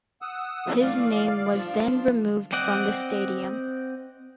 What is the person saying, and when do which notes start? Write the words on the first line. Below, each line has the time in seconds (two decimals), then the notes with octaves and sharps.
His name was then removed from the stadium.
0.22 F#5 D#6 E6
0.80 A#2 E3 A3 D5 F5
1.54 F3 D4 F4 A4
2.53 C4 D5 D#5 F#5